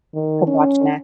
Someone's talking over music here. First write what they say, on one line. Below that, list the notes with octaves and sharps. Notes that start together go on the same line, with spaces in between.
to watch next.
D#3
C#4